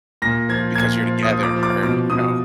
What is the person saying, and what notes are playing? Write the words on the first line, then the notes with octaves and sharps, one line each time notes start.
Because you're together, or, you know.
A#2 A#6
F3 G#6
A#2 G#6
F3
D#6
F3
D6
F3
D6
B2 D6
B2 D#6